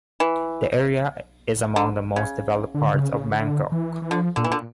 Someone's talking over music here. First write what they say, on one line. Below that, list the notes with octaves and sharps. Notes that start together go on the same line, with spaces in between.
The area is among the most developed parts of Bangkok.
E3
D3
C#3
D3
C#3
C#3
D3
E3
E3
D3 F3
A#2 D3
E3
A#2 D3